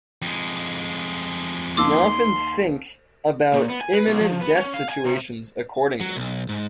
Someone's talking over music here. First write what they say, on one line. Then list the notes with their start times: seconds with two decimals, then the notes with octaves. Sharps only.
He often think "about imminent death situations," accordingly.
0.22 F2 G#3
1.77 D#2 D#4 A5 C6 D6 E6
3.53 A#2
3.69 B3
3.81 G#5
3.93 B4
4.07 B1
4.21 F3
4.41 B3
4.56 C#4
4.74 F5
4.90 G#5
5.05 C3
6.01 F#3
6.17 B1
6.49 G#2